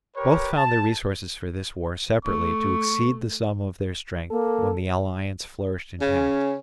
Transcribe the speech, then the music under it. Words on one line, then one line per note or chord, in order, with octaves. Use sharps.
Both found their resources for this war separately to exceed the sum of their strength when the alliance flourished intact.
G4 A#4 B4 C#5
A5
A3 C#6
A#3 A4
C#3 C#4